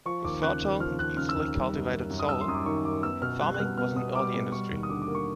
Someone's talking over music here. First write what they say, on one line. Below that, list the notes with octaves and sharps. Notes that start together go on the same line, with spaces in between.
With fertile and easily cultivated soil, farming was an early industry.
F3 C#6
D#2 D6
C#3 F#6
D#2
F3 F6
D#2 F#6
C#3 F6
E6
D#2 F6
G3
F#2
D#3
F#2
D#6
G3 E6
C6
F#2 D#6
D6
D#3 C#6
F#2 D6
B3 E6
B2 F6
G3 F#6
F#6
B2 F6
B3 F6
B2 D#6
G3 D6
B2
G3 C#6
D#2
D#6
D3 D6
D6
A#3
C#6